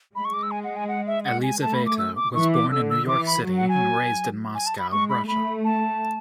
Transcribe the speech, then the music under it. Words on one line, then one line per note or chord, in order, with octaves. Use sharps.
Elizaveta was born in New York City and raised in Moscow, Russia.
G#3 B5
C#6
D6
E6
G#5
F#5
G#5
F#5
E5
F#5
G#5
A3 A5
B5
D6
E6
D6
E3 C#6
D6
D3 E6
E6
E3 D6
B5
F#3
F#5
G#5
G#5
A5
B5
G#3 C#6
B5
A3 B5
A5